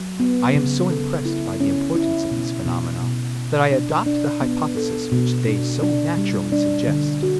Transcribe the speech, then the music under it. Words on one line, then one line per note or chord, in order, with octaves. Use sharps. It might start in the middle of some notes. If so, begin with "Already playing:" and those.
I am so impressed by the importance of these phenomena that I adopt the hypothesis which they so naturally suggest.
Already playing: F#3
B3
C#3
A4
E4
C#4
E4
B2
B2
B2
B2
D4
D4
B3
A4
B2
D4
D4
G3
D4
D3
F#4